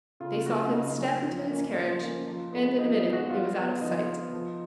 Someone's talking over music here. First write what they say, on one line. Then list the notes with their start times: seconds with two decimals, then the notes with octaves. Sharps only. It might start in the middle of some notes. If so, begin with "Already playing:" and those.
They saw him step into his carriage, and in a minute it was out of sight.
0.20 C#3 F4
0.46 F#3 A#3 C#4 F#4
0.72 C#3 D#4
0.98 F#3 A#3 C#4
1.23 F3
1.50 A#3 C#4
1.75 F3
2.01 A#3 C#4
2.27 F3
2.52 G#3 B3
2.78 F3 D#4
2.95 D#4
3.05 G#3 B3
3.13 F#4
3.30 F3 F4
3.57 B3
3.81 F3 D#4
4.08 B3
4.33 F3